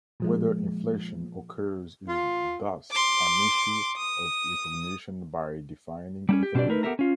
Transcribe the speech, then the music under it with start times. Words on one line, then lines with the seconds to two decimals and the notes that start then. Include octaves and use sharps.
Whether inflation occurs is thus an issue of recognition by a defining authority.
0.20 A#2 F3 G#3
2.08 F4
2.91 C6 D6
3.97 D#6
6.29 G3 C4 C#4
6.43 G4
6.55 B2 C4 D4 F4 G4 D5
6.68 A3 D#4 A#4 B4
6.83 B3 G4 A4 A#4 E5 A#5
6.99 C#4 F4